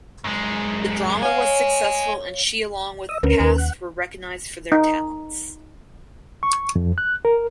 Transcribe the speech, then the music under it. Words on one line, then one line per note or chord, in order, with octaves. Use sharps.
The drama was successful and she along with cast were recognized for their talents.
F#2 G#3
C#5 D#5 F5 G#5
D#5 E6
D2 C#4 A#4 B4
D#2
F#5
D#4
C#6
F2
F#6
A#4